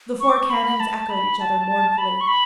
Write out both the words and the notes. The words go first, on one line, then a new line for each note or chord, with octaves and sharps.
The four cannons echoed each other mournfully.
C#6
D6
C#6
B5
A5
B5
A5
A5
A5
B5
C#6
B5